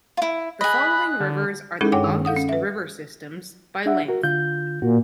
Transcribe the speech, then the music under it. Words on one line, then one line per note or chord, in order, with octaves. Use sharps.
The following rivers are the longest river systems, by length.
E4 F4
G#4 D#5 B5 F#6
D3
G#3 C#4 D#4 E4 G#4 A4
G2 D4 C#5 F#5 G5 D6
D#3
A4 F5 F#5 D#6
C#4
B4 E5
D4 E5 F#5
F#4 A#4
D3 F4 G6
A#2 F#4